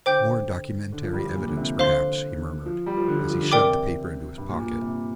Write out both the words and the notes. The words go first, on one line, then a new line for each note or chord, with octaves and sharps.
"More documentary evidence, perhaps," he murmured, as he shoved the paper into his pocket.
D3 C5 G5 D6 G6
D3
F3
G3
F3
A#2
D3
C3
D3 C5 F5 C6
F3
G3
F3
D3
F3
F3
D3
C3 A#4 D5 G5 D6
G2
A#2
A#2
C3